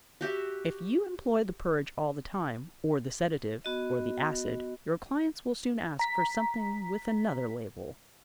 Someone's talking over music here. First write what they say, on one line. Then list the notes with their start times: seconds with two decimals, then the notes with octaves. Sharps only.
If you employ the purge all the time, or the sedative, or the acid, your clients will soon ask for something with another label.
0.21 F#4 G4 E5
3.65 B3 F#4 D#5
5.99 A#5 B6